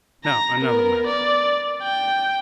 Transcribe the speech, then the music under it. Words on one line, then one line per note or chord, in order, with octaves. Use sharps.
Now another matter.
A#5 A#6
B3 A#4
D5
G5